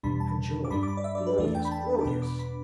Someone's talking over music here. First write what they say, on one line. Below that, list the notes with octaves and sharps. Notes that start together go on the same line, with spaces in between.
By Jove! glowious! glowious!
E2 B2 G3 D4 B5
A5
D6
G2 G3 D4 B5
D6
B5
D5
E5
D5
B4
E2 E3 A3 D4 D5
G5
B5
A5
D6
E2 B2 B3 D4 B5
D6
B5